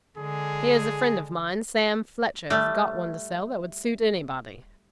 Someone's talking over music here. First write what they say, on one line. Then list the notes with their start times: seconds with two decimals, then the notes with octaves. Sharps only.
Here is a friend of mine, Sam Fletcher, has got one to sell that would suit anybody.
0.18 D3 G#3 G#4
2.50 G3 A3